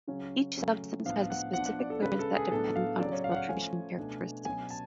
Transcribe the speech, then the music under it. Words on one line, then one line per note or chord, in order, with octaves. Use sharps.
Each substance has a specific clearance that depends on its filtration characteristics.
C#3 F#3 C#4
C#3 F#3 A3 C#4
A2 F3 B3 D4 F5
F#5
F3 B3 D4 F#5
F#5
D5
A4
C#3 G#3 C#4 B4
A4
G#4
A2 F#3 B3 D4 A4
F5
C#3 F#3 C#4 D5
C#5
F5
F#5
F5
F3 A3 C#4 G#5
B2 A3 D4
B2 F#3 C#4 G#5
A5